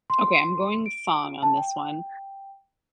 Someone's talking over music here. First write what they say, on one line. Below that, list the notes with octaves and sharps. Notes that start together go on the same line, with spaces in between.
Okay, I'm going song on this one,
C6
D7
A5
G5